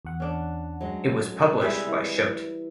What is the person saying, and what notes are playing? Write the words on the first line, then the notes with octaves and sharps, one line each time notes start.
It was published by Schott.
E2 F#5
C#4 D4
F#3 G#3
F#6
C3 G3 G#3 E4 G#4 E5
E3